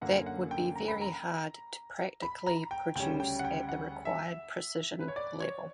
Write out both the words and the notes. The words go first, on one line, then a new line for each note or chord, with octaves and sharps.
That would be very hard to practically produce at the required precision level.
F#2 D3 A#3 C#4 F#5
F#5
G5
A#5
B5
A#5
B5
A#5
G5
D2 C#3 G3 C#4 G5
G5
F#5
G5
F#5
E5
B4
C#5
D5
C#5